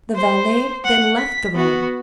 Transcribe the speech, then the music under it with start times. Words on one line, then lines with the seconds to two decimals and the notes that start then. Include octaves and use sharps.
The valet then left the room.
0.15 C5
0.84 F#5
1.17 B6
1.55 B3 F#4